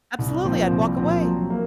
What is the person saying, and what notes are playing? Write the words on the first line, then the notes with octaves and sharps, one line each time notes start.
Absolutely, I'd walk away.
C2
A#2 F3 C4
C2
A#2 F3 C4
F#3
A#3